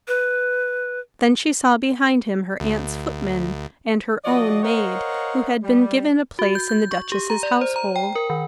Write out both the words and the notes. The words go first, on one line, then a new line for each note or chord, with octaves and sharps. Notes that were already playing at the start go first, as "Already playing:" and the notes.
Then she saw behind him her aunt's footman, and her own maid, who had been given a place in the duchess's household.
B4
D2
F3 F#4 D5 D#5
A#4 C5 C#5 D#5 F5 F#5
G3
F#4
G6
G6
C#6
G4
A#5
D5
C5
A#5
G5
A#4
D#3